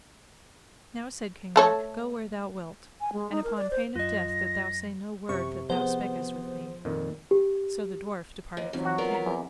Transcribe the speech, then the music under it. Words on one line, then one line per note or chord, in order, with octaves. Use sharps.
Now, said King Mark, go where thou wilt, and upon pain of death that thou say no word that thou spakest with me; so the dwarf departed from the king.
A3 A4 C#5
G#5
G#3
D#4
A#4
D5
C5
F#2 F4 D#5 A#6
F#2 C3 C#6
F3 B3 G#4 C5
F2 A#2 D#3
G4
D#2
F2 E3 F#3 C4 D#4
F#4
B3 F4 A#4 D5
A#5 B6
E2 F3 C4